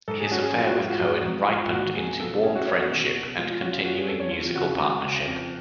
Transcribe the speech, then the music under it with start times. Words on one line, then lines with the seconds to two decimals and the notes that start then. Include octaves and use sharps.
His affair with Cohen ripened into warm friendship and continuing musical partnership.
0.08 G#2 A4
0.20 G#4
0.31 C#4 F#4
0.42 G#4
0.54 F3
0.67 F#4
0.78 G#2 F4
0.89 F#4
1.02 G#2
1.25 G#2
1.49 G#2 F4
1.72 G#2 F#4
1.96 C#2 G#4
2.20 B2 A4
2.43 C#4 G#4
2.55 F#4
2.67 C#4 C#5
2.78 F#4
2.90 B2 F#4
3.14 B2
3.37 G#3 F4
3.50 F4
3.61 C#4 F#4
3.73 F4
3.84 C#4 F#4
3.97 G#4
4.08 F2 A4
4.20 C#5
4.31 F2 F4
4.55 C#3 F#4
4.79 G#3 F#4
5.02 C#3
5.25 F2